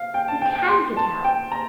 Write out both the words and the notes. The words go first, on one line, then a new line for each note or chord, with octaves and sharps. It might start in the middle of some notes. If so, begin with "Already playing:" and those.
"You can get out!"
Already playing: F5
G5
A5
G5
G5
C6
A5
G5
A#5